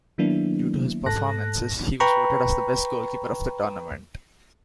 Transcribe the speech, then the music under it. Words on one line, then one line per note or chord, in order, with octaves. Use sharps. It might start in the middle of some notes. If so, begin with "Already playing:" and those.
Due to his performances, he was voted as the Best Goalkeeper of the Tournament.
D#3 F#3 A#3 B3 D4 E4
G#2 A4 A5 F#6 A#6
B4 G5 A#5 B5 C#6